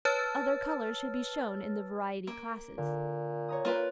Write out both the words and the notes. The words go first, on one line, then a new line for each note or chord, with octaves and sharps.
Other colours should be shown in the variety classes.
B4 C#5 A5 E6 F6 A6
A#3
A#2 D3
C#5 A#5 D#6
A#3 F4 B4